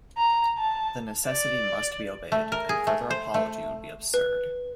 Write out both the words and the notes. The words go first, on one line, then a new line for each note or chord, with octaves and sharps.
The necessity must be obeyed, and further apology would be absurd.
A#5
A5
D5
A3
A#4
G#4
A3
C5
A3
B4